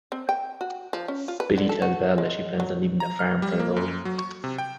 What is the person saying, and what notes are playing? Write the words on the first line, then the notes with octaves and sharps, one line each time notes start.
Billie tells Val that she plans on leaving The Farm for the road.
C4
G5
F#4
F3
C#4
F4
B4
D3
A4
F#4
G#3
F#3
A#5
F6
G3
A#3
F#2
F#3
C#6
C3
G5